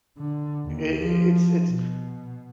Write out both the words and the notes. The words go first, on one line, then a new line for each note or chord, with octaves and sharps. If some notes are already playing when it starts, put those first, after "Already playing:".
it's it's
D3
D#2
F3
B2